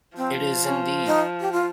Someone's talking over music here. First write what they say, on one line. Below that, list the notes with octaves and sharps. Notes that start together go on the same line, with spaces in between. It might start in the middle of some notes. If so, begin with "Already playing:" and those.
It is, indeed!
F3 C4
C#4
D#4
G4
F4